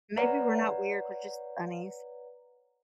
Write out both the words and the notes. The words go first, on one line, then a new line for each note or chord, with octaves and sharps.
Maybe we're not weird, we're just bunnies.
B4 C#5 D5 F#5 A#5